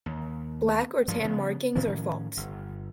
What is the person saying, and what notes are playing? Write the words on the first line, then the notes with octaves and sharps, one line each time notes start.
Black or tan markings are faults.
D#2
G2 F3 G3 G#3
C#3 F3 B3
A2 D#3 F3 C#4
G1